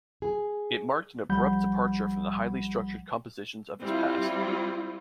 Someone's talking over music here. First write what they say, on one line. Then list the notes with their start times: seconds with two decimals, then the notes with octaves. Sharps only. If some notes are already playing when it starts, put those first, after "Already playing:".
It marked an abrupt departure from the highly structured compositions of his past.
0.22 G#4
1.29 B1 F3 G3 F#5 B5 G6
3.82 G3 C4 E4 F4